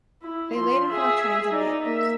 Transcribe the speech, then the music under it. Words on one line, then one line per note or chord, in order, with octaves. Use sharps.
They laid in front of trains and vehicles.
E4
F3 C6
G#4 E5
D#4 D5
A#3 E5